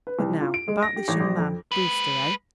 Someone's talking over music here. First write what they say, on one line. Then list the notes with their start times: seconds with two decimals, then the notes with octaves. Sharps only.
But now about this young man--Brewster--eh?
0.07 B4
0.19 C2
0.41 F4
0.54 D7
0.68 G#3
0.83 A#6
0.96 G4
1.08 A1
1.20 A#1
1.37 F2
1.72 G#3 B4